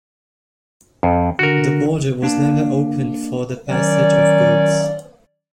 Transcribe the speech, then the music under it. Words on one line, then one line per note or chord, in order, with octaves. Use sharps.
The border was never opened for the passage of goods.
F2
D3 F#4 A#4
A#3 D4 A5
D#3 F#3 C#4 D5